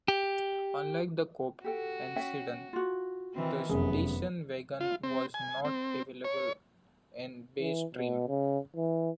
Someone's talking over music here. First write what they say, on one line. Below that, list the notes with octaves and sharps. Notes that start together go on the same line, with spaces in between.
Unlike the coupe and sedan, the station wagon was not available in base trim.
G4
F#4 G4 A4 G5
C#4 E5 G5
F4 F#4
D#3 E3 C4
F1 F#2 B3 G#4
F4
C4
G#5
C4
C#5
E3
B2
C#3
E3